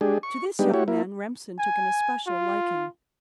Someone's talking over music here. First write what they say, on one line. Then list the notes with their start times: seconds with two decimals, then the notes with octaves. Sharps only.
To this young man Remsen took an especial liking.
0.01 G#3 D4 G4 G#4
0.23 C#6
0.59 G3 G#3 B3 D4 D#4 G4
0.74 E4 F#4 G4 C#5
0.88 A#3 E4
1.59 G#5
2.27 F4